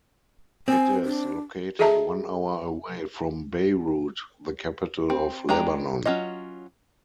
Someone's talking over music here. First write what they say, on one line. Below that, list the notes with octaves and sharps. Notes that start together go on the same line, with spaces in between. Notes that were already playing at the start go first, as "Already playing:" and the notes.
It is located one hour away from Beirut, the capital of Lebanon.
C4 G#5
D4
G#4 A4 D#5 E5 A5 A#5
C4
G#3 D4 G5 A#5
F#3 C#4 F4 D#5